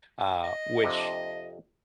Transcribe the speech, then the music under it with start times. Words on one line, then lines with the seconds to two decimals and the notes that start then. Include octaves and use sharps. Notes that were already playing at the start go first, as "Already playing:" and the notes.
uh, which,
0.44 D#5
0.82 F2 C3 D4